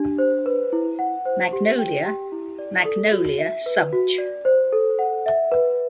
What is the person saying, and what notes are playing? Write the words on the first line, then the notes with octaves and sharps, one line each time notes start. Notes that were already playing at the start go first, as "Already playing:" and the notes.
"Magnolia", "Magnolia" subg.
Already playing: D4 G4
C5
B4
E4
F#5
C5
G4
G5
G4
E4
D5
A4
F#4
E5
B4
F#4
D5
C5
A4
F#5
E5
B4